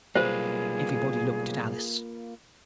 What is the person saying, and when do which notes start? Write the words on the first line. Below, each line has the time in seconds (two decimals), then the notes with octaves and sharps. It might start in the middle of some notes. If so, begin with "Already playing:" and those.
Everybody looked at Alice.
0.16 B1 G3 A#3 F4 G#4 B4 C5